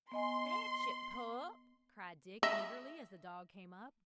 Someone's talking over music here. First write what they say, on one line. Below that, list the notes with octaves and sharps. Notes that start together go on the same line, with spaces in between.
"Fetch it, pup," cried Dick eagerly as the dog came up.
B3 D#5 G#5 C6
D#5 E5